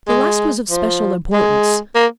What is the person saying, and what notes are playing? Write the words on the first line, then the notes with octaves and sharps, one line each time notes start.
The last was of special importance.
G#3
F3
G#3
A#3